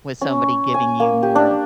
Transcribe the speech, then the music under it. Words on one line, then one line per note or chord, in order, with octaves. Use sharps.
with somebody giving you more,
C#4
G#5
A#3
G4
D4